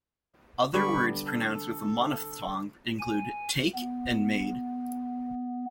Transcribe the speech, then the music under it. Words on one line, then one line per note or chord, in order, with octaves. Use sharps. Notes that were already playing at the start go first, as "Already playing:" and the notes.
Other words pronounced with a monophthong include: take and made.
D3 G3 B3 B5 C#6
A4
G#5
B3